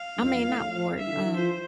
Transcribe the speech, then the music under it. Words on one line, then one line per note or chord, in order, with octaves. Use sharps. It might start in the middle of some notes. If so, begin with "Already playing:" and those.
I mean, not Ward, um
Already playing: F5
G2
F2
F2
A2
G2 E5
E3
D3
E3
F3 C5